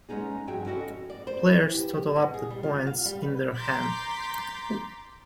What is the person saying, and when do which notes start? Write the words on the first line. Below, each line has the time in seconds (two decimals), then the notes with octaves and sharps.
Players total up the points in their hand.
0.09 G#3 B3 C#4 D#4 G#4
0.47 G2 F3 F#4 G#4 E5 G5
0.66 C#4 E4 F#4 A4 D#5
1.10 D5
1.27 C5
1.46 E3
1.74 G4
1.93 G4
2.16 B2
2.34 G#4
2.50 G3
2.63 F4
2.87 F5
3.05 G3
3.22 B4
3.54 A#5 C6 D6 G6 A6 B6